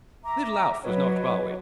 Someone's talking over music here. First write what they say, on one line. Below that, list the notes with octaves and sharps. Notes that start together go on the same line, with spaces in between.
Little Alf was knocked bawways.
E5 A#5 D6
F#3 B4 C#5 D#5